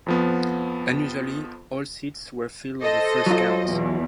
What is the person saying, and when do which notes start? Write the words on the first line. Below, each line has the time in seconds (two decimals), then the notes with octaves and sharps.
Unusually, all seats were filled on the first count.
0.06 F2 F3 B3
2.82 A4 C5 D#5
3.26 F#3 F4
3.66 E2 B2